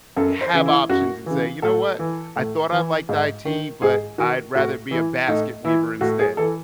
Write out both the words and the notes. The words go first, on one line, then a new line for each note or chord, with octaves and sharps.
have options and say, "You know what? I thought I liked IT, but I'd rather be a basket weaver instead."
F#2 A4
C5
C#3 E3
E4
F#2 F#4
C#3 E3
A2 A4
E3
A2
E3
G#2
D#3
G#2 G#4
D#3 F#4
A2 F#4
E3 E4
A2 D#4
E3 E4
A2 F#4
G#4
E3 A4